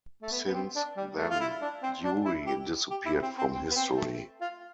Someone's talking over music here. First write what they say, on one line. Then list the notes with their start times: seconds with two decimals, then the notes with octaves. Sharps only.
Since then, Yury disappeared from history.
0.22 A3
0.31 B3
0.48 B3
0.54 C4
0.76 D4
0.97 G3
1.18 A3
1.29 F4
1.40 E4
1.61 D4
1.83 C4
2.04 D4
2.25 E4
2.46 G4
2.90 G4
3.06 E4
3.22 C4
3.38 C4
3.55 C4
3.71 B3
3.76 C4
3.97 A3
4.41 F4